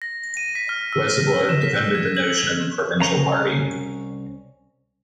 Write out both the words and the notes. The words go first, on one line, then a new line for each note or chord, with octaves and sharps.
Lesavua defended the notion of a provincial party.
A#6
D#7
B6
F6
E6
A#6
E7
B6
E6
G#6
F#7
G#6
C2 C#4 A#5